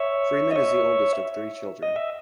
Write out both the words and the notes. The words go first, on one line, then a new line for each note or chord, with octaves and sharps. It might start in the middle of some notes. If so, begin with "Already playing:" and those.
Freeman is the oldest of three children.
Already playing: C#5 E5
D#5
C#5 E5
D#5
E5